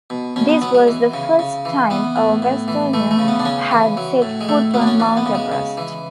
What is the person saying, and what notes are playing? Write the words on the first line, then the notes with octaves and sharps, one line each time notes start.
This was the first time a Westerner had set foot on Mount Everest.
B2
B2 C#4
B3
F#3 B3
G#3
E3
C#3
C#3
E3
E3 B3
A2
A2
E3
E3 A3
A3
C#3
B3
D4
C#3 C#4
E3
F#3
A2
G#3
A2 A3
F#3 B3
D4
C#4
E3 D4
B3
C#3
G#3
C#3
E3